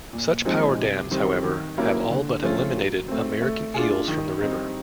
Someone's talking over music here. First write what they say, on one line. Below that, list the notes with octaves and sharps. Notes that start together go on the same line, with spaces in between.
Such power dams, however, have all but eliminated American eels from the river.
A#2
F3 G#3 C4 D#4
C3
D#3 G3 C4
D#3
F#3 A#3 C#4 E4
D3
F3 A3 C#4 F4
F#3
A3 C4
A3
D4 F4 G#4
D#3
G3 C4 D#4